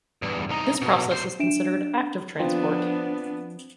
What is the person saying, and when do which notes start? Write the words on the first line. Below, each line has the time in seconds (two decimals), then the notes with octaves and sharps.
This process is considered active transport.
0.22 E2 G2
0.49 C2 D#4
0.82 B2
1.11 B2 C5
1.39 D4 E5 D7 E7
2.39 F3 B3 C4 D4